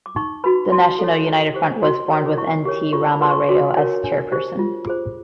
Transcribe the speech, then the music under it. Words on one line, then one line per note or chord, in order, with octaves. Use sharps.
The national united front was formed with N. T. Rama Rao as chairperson.
D6
D#4 C#6
F#4 B4 B5
E4 C6
A4 C#5
E4
G4 C5
F#4 C6
A#4 C#5
D6
E4 C#6
G4 A#4 C#5
F4 C#6
B5
G#4 B4 C6
C#6
F#4 D6
A#4 C#5
D4
G4 C5
F4
G#4 C5